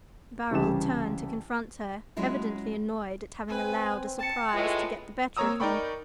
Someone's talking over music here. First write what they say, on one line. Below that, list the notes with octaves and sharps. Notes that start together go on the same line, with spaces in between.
Barold turned to confront her, evidently annoyed at having allowed a surprise to get the better of him.
C2 C#3 E3 G4 A5 E7
F#3 G#3 C#4 E4 F4
C4 B4 G#5
G5 A5 A6 C#7
A2 G#3 F4 B4
A#3 C4 C#5 A#5 D#6 E6
D#4 A#4 D5 G5 B5 C#6